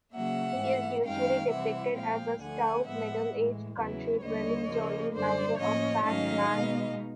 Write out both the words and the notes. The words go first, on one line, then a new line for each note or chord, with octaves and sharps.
He is usually depicted as a stout, middle-aged, country dwelling, jolly, matter-of-fact man.
C#3 F#3 A#3 E5 F#5
G#2 E3 A3
F#2 D#3 G#3 C#4 F5 G5
C3 E3 G3 C4 E4 E5 F#5
A#2 F3 G#3 F5 G5
D2 D3 F3 A3 F#5 G#5
A2 F3 G#3 B3 E5 F#5
A2 E3 G#3
E2 C#3 F#3 B3 E4
D#2 D3 G3 C#5 D#5
C#3 F3 A#3
F#2 D3 G3 C5 D5
A2 F3 A#3 C#4 C#5 D#5
G#2 D#3 F#3 A3 C#4 D#5 F5
B2 G#3 B3 D#4